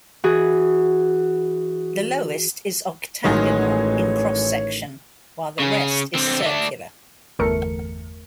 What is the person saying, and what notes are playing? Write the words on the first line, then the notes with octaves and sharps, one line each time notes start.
The lowest is octagonal in cross section while the rest is circular.
E3 F#4 G#4
A1 D#3 F#3 G#3 G#4 C#5
C#3 C#4
D3 C4
A3 D4
G1 E2 A3 A#4 C#7